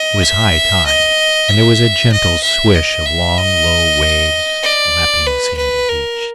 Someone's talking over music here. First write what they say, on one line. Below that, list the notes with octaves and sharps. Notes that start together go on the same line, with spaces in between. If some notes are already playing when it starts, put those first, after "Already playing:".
It was high tide, and there was a gentle swish of long low waves lapping the sandy beach.
Already playing: D#5
E5
D#5
E5
D#5
E5
D#5
E5
D#5
D5
B4
B4
A#4